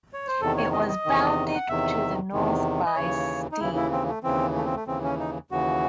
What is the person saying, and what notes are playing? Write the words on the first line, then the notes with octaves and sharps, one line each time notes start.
It was bounded to the north by Ste.
C#5
C5
E2 C3 D#3 A4
C#5
D#5
D#5
E2 C3 D#3
F#5
E2 C3 D#3 E5
E2 C3 D#3
D#5
D#2 C#3 E3 C#5
D#4
D#2 C#3 E3 E4
E4
C4
A3
D#2 C#3 E3 C4
A3
C4
A3
D#2 C#3 E3 C4
C#4
D#4
D#2 C#3 E3 F#4